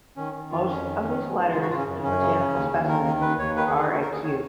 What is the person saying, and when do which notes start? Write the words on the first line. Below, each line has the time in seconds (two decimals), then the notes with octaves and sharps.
Most of his letters and botanical specimens are at Kew.
0.17 D#3 C#4
0.34 D#3
0.50 F2 F4
0.68 F2 C#4
0.84 D#3
1.02 D#3
1.19 G#2
1.36 G#2
1.52 C#3 F4
1.62 F#4
1.70 C#3 F4
1.78 C#4
1.86 F#2
2.03 F#2 C#4
2.20 C#3
2.37 C#3
2.55 D#2
2.71 D#2
2.88 D#3 A#4
3.05 D#3
3.21 D#2 B4
3.39 D#2 C#5
3.56 D#3 B4
3.67 G#4
3.73 D#3
3.78 G#4
3.90 D#2 F#4
4.02 A#4
4.06 D#2
4.12 G#4
4.23 D#3 C#5